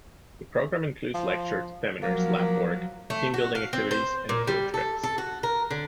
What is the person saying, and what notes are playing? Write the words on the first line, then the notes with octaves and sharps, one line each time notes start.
The program includes lectures, seminars, lab work, team-building activities and field trips.
F3
F3 F#3 A#3
A3
F#4
F5
C4
C5
A#2
G3
A4
A4
F#4
A#4
D3